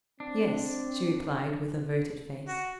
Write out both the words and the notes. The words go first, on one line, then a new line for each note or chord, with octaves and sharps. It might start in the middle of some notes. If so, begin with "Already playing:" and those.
"Yes," she replied with averted face.
C4 D4
F#4